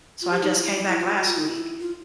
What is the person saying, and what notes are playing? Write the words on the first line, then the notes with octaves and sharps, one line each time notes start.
So I just came back last week,
F4
G4
D#4
E4
E4
F4
F#4
F4
D#4
E4
F4